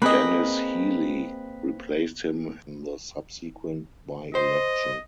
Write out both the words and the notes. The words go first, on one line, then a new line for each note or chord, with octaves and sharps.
Denis Healey replaced him in the subsequent by-election.
A#3 C4 G#4 B4 D#5
C5 D#5